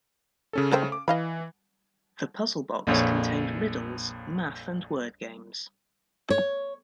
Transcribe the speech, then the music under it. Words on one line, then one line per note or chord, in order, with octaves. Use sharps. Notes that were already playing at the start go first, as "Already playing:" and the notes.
The Puzzle Box contained riddles, math and word games.
C#3 C#4 A4
A3 C5 G5
D6
E3 D#5 F5 B5
A#1 F2 C#5
C#5